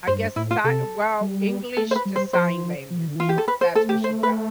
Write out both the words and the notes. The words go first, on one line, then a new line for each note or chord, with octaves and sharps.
I guess, si well, English to sign language, that's what she does.
G2 C5
A2 E4
F4
C3 A4
G3
A3 A4
C5
B4
G3
C5
F3 C5
F3
E3
D3
E3 F4
G4
A4
B4
C5
A3 A4
G4
C5
B4